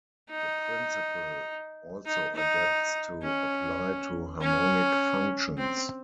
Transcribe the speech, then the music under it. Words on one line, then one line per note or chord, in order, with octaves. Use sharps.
The principle also adapts to apply to harmonic functions.
D#4
D#4
D#4
C#4
C#4
C4